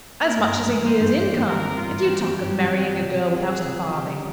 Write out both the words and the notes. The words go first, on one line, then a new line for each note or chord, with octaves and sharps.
"As much as a year's income;--and you talk of marrying a girl without a farthing."
A#3 A#4
G2
G2
E3
A#3 C5
G2
G2
E3
G3 A#4
C4
G2 F4
E3
G3 G4
C4
G2
E3
C4
F4
C3
F3
C4 G#4
F4
C3
F3
G3 G4
C#4